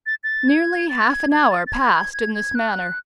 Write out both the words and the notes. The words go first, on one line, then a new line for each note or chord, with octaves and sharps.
Nearly half an hour passed in this manner.
A6
A6
G#6
A6
G#6
G#6
A6
A6
G#6
G#6
G#6
G#6
F#6